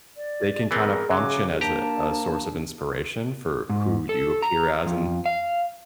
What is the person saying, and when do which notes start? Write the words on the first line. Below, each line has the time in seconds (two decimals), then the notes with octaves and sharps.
they can kinda function as a a source of inspiration for who you appear as in
0.17 D5
0.71 E3 B3 C4 G#4 A#4
1.11 C#3 F#3 D6
1.61 A#3 D4 G4 A5 A#5
3.70 G#2
4.09 A4
4.42 A#5
4.86 F2
5.26 F5